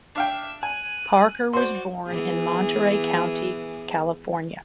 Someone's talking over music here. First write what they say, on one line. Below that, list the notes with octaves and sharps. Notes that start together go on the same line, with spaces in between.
Parker was born in Monterey County, California.
D4 E5 F5 G5
G#5 F#6 D#7
F#4 C5 D5 C6
E3 B3 G#4